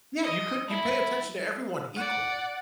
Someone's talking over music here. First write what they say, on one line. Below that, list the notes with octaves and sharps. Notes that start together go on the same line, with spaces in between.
Yeah, you couldn't you pay attention to everyone equally.
D#5
E4
D5 F#5